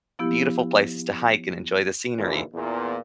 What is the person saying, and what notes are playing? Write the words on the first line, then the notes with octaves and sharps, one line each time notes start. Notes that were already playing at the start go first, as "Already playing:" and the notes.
beautiful places to hike and enjoy the scenery,
F3 B3 E4 G4
D#2 A#2 D3 E3
E2 A#2